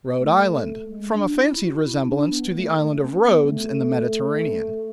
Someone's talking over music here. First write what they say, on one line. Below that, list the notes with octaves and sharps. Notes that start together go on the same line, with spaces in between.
Rhode Island--From a fancied resemblance to the island of Rhodes in the Mediterranean.
A3
G#3
D4
E4
F#4
E4
D4
B3
A3
A3
C#4
B3
G#3
A3